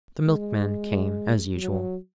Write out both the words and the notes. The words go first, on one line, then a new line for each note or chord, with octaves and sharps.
The milkman came as usual.
G#3
F#3